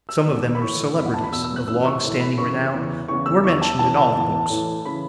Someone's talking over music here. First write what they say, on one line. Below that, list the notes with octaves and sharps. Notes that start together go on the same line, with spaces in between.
Some of them are celebrities of long-standing renown, who are mentioned in all the books.
E6
E2 B2
B5
A2 E3 C#6
E2 E3 B5
F#5
A5
B5
E2 B2 E6
E6
F#6
F#2 E3 E6
C#6
A2 E3
B5
F#2 C#3 E3 C#6
E2 C#3 E3
E2 C#3 E3 C#6
E6
E2 E3 C#6
A5
F#2 C#3 E3 A5
A5
E2 E3
A2 E3
C#3 E3 B5